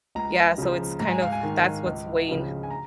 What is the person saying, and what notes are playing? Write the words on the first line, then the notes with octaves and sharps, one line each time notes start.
Yeah, so it's kind of that's what's weighing
C#2 A#5
C#3 F3
G#2 A#5
G#5
F5
G#5
D#3
C#2
C#3 F3
G#5
A#5